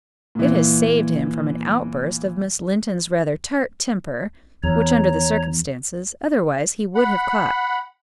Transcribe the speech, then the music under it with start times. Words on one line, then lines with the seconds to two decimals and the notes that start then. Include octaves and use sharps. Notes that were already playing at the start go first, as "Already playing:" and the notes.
It has saved him from an outburst of Miss Linton's rather tart temper, which, under the circumstances, otherwise he would have caught.
0.35 A#2 E3
4.63 E2 C#5 A#5
6.95 F#5 B5